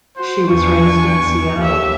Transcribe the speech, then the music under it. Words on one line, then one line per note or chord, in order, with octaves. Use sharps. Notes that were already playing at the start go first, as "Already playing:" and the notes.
She was raised in Seattle.
F#4 C5
E2 D4 G#5 C#6
E2
D#2 G4 E5